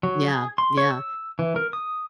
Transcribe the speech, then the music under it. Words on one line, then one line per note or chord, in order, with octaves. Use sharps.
Yeah. Yeah.
F#3
G#4
C6
C#5
E6
E3
A#4
D#6